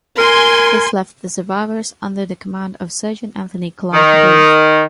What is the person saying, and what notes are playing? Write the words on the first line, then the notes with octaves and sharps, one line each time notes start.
This left the survivors under the command of Sergeant Anthony Clarke Booth.
A#4 G#5 C6
D#3